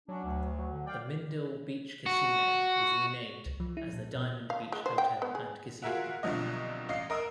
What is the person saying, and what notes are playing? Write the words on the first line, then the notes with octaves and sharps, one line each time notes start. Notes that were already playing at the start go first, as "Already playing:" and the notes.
The Mindil Beach Casino was renamed as the Diamond Beach Hotel and Casino.
F#3 C#4 D4
D2
F#3
D3
D5 F5 G5
F#4
C2
F3
E4
A#2
B2
F5
G#3
C5
G5
B3
G#4
F4 F#4 G#4 A#4 E5 F#5
C2 B2 D3 F3 F#3 D#5
A1 D#5 F5 C7
A#4 D#5 D#6 E6